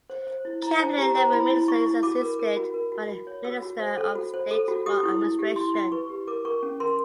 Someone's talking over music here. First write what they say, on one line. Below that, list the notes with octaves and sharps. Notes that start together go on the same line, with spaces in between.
Cabinet level minister is assisted by the minister of state for administration.
C5
C5
E4
E4 A#5
C5 A5
G4 A#5
C5 A#5
E4 B5
E4
E4 C#6
E4
F#4 D6
A#4
A#4
F#4
A#4
F#4
F#4
C#5
F#4 E6
F#4
C5
A4
F#4
C5
A4
F#4
G4 D#6
E4
E4
G4
E4 C6
E4
B4 C#6
G4
A#4 D6
A#4 C#6
C#4
A#4 C6